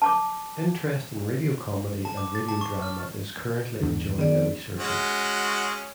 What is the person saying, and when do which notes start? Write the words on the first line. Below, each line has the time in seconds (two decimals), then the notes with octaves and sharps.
Interest in radio comedy and radio drama is currently enjoying a resurgence.
0.02 A5 C#6 D6
2.05 A5
2.17 D6
2.35 A6
2.49 A5
2.61 C#6
2.82 F6
3.81 E2 D3
4.18 D#3 B3 G#4 D5
4.80 G#3 C#4 F#4